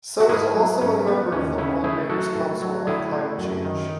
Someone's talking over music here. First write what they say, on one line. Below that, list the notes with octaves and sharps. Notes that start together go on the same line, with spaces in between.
So is also a Member of the World Mayors Council on Climate Change.
F#4
G#2 E4 G#4
F#3
G#2 C#4
A3 B3
D#2 C#4
C#3 C#4 E4
A3 E4 G#4
F#3 F#4 A4
A2
F#3
A2 E4 G#4
A3
F#2
D#3